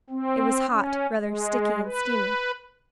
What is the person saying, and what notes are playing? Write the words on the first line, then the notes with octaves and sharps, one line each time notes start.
It was hot; rather sticky and steamy.
C4
C#4
G#3
B4